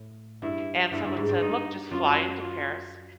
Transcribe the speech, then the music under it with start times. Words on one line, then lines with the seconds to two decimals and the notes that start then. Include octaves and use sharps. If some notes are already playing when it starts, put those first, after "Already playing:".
And someone said, "Look, just fly into Paris,
Already playing: A2
0.42 G2 E4
0.92 G2 E4
1.04 G2
1.17 G#2
1.29 G2
1.41 G2 D#4
1.91 F#2 F4
2.41 F4